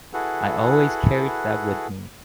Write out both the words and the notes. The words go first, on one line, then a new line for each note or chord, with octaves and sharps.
I always carried that with me.
E4 F#4 G#4 A4 B4 F#5